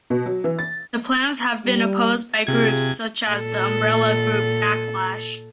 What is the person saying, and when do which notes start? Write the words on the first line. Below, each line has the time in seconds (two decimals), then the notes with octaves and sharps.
The plans have been opposed by groups such as the umbrella group Backlash.
0.10 B2
0.26 F#3
0.44 E3
0.59 A6
1.65 G3
2.47 C3 F4 G#4 G#6
3.29 A#2 A4